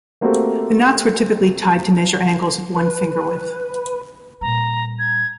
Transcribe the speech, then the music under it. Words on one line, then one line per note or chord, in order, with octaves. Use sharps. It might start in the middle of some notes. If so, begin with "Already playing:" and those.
The knots were typically tied to measure angles of one finger-width.
A3 A#3 C4 F#4 G4 A4
B4
A#2 G3 A#5
G#6